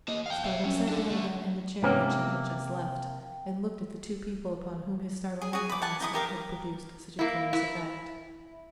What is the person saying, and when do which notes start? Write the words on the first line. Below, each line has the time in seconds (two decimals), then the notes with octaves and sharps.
Spargo sat down again in the chair which he had just left, and looked at the two people upon whom his startling announcement had produced such a curious effect.
0.08 A#3 D#5
0.26 F5 G5
0.44 E5 G5
0.64 F#3 C#4
0.88 D4 A4
1.09 D3 A3
1.83 G#2 C3 A#3 B3 C#4
5.42 G#4
5.53 F#4 G#4
5.69 B5 D6
5.82 F#5 G#5 A5
6.00 D#4 E4 D#6
6.14 G4 A#4 F5
7.19 A#3 E4
7.53 E4